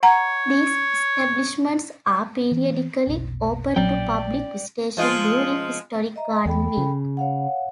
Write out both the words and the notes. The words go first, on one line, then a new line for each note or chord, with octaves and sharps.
These establishments are periodically open to public visitation during Historic Garden Week.
C#5 F#5 A#5
E3
F1 B1
A#1 A#2 F#3 D5 G5
F3 G#3 F4
D#5 E5 A#5
E2 A4 G5 B5
C#3
C#5 F5 F#5